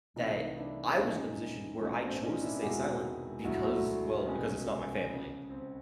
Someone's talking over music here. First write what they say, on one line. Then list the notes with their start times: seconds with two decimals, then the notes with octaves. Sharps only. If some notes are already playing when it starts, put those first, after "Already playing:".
that I was in the position where I chose to stay silent because, well, because it's not my family,
0.16 C2 C3 E3 A3 D#4 F4
0.57 D4 E4
0.87 D4
0.98 E1 E2 C3 F3 C#4 D#4
1.80 B1 A2 F3 A3 C#4
2.01 C4 D4
2.21 C#4 D#4
2.41 D4 E4
2.57 G4
2.62 E1 E2 C3 D#3 G#3 F#4 G#4
3.44 E1 D2 D3 F#3 A3 E4 F#4
4.26 C2 B2 G#3 C#4
5.09 C#2 C#3 F3
5.50 C4